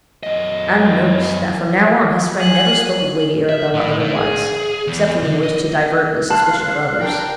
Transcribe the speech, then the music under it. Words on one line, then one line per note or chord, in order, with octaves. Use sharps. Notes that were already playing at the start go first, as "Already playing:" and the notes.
Adam noticed that from now on, his friend never spoke of Lady Arabella otherwise, except when he wished to divert the suspicion of others.
F#2 D#5
G#4 F#6
E5
A2
A2
G#4
E2
D3
D#5
F5 A5 C6 F#6
D4 A#4 G5